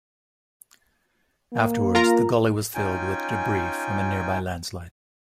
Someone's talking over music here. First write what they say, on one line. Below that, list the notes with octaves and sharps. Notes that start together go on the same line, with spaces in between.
Afterwards, the gully was filled with debris from a nearby landslide.
A#3
F4 A#4 A#5
C#4 D#4 F4 G5 G#5